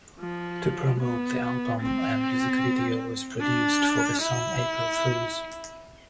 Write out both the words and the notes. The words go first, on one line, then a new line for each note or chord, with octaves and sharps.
To promote the album, a music video was produced for the song "April Fools".
F3
B3
C4
D4
E4